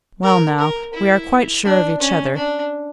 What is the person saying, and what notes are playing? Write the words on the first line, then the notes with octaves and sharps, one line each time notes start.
'Well now, we are quite sure of each other.
A#4
A#4
E4
D4
C#4
D4